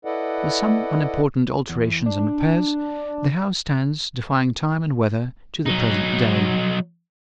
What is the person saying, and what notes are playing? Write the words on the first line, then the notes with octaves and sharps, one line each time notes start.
With some unimportant alterations and repairs, the house stands, defying time and weather, to the present day.
E4 A4 B4 D5 D#5 F#5
E2
D4
F#3 D#4